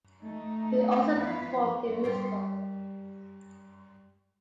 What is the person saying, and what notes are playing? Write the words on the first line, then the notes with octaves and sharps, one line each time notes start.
He also performed in musicals.
A3 D#4
F3 B3 E4 B4 F5
G3 A#4 C5